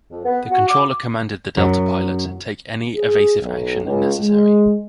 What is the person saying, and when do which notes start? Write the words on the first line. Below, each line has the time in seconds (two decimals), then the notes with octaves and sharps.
The controller commanded the Delta pilot, Take any evasive action necessary.
0.11 F2
0.25 B3
0.51 F#4
0.69 D6
1.57 F#2 F#3
2.96 G#4
3.40 B1
3.85 C#2
4.21 G#3